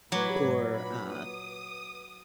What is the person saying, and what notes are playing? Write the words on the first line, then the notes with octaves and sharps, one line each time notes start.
or, uh
A2 F#3 B4 B5 D6 G#6
G#2
A#2 B5
D#6